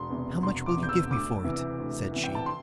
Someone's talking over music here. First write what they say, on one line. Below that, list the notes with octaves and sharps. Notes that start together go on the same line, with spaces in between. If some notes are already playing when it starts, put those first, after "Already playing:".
"How much will you give me for it?" said she.
Already playing: E1 C6
E2 C3
E1 C6
D6
E2 C3
G6
E6
D2 D6
C3 E3
D2
C3 E3
G5
A5
C6